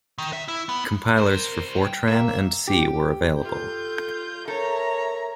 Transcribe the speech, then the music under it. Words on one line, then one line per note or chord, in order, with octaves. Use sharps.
Compilers for Fortran and C were available.
D#3
E5
E4
B3
C2 A#4 C5
G5
A#3 E5
G4
F4 A4 G6
A4 A#4 C#5 E5 A#5